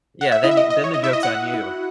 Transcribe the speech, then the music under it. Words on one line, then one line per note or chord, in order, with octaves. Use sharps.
Yeah, then then the joke's on you.
F#5
E5
E4 D#5
E5
D#5
D#5
C#5
D#5
E4 E5
D#5
F#5
E4
F#4